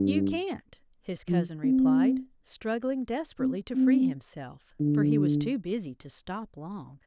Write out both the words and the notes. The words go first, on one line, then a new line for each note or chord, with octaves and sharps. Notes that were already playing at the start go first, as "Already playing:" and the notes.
"You can't!" his cousin replied, struggling desperately to free himself, for he was too busy to stop long.
Already playing: G2
F3
C4
C4
C4
D3